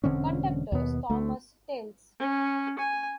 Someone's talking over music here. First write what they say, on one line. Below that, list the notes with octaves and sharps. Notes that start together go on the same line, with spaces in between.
Conductor's Thomas Tales.
E1 D3 C4 C#4
D#2 B2 B3
D2 A3
C#4
G#5